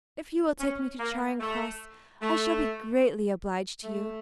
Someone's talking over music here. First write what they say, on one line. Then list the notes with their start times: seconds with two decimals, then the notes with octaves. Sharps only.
If you will take me to Charing Cross, I shall be greatly obliged to you.
0.60 C#4
0.99 A#3
1.40 A3
2.21 A3
3.84 A3